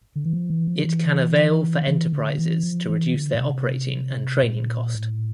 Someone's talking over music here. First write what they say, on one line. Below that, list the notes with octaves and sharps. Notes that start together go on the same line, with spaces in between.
It can avail for enterprises to reduce their operating and training cost.
D3
E3
F3
E3
F3
E3
D3
E3
D3
E3
F3
E3
D3
A#2
C3
A#2
A2